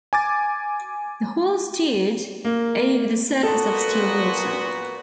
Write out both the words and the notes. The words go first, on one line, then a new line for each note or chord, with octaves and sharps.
The whole stood over the surface of still water.
G#5 D6 A6
A#3
A#2 B3 F#4 A4